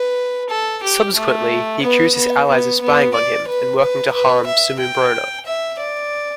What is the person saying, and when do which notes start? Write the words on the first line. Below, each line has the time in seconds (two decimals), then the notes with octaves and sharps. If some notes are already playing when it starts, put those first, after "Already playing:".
Subsequently, he accused his allies of spying on him and working to harm Samoobrona.
Already playing: B4
0.50 A4
0.83 G4
1.16 A3
1.82 B3
2.15 B3
2.49 B3
2.81 B3
3.14 D5
3.48 B4
3.80 B4
4.13 B4
4.46 E5
4.80 G5
5.46 E5
5.79 D5